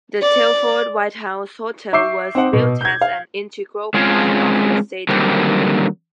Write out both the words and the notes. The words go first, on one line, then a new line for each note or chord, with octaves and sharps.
The Telford Whitehouse Hotel was built as an integral part of the stadium.
D5
E5 C#6 D6 E6 G6 C7
C4 D#4 F#5
B2
G6 G#6
F5
G#3 C4 C#4 F4 G#4
D3 D#3 F#3 G3 A#3 C4